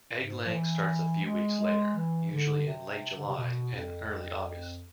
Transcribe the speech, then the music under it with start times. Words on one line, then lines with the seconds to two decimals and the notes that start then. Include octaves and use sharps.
Egg laying starts a few weeks later, usually in late July and early August.
0.18 G#2
0.47 F3
0.54 E3
1.24 G#3
1.61 G#3
1.96 E3
2.31 D3
2.67 C3
3.17 D3
3.28 C3
3.38 B2
3.74 F2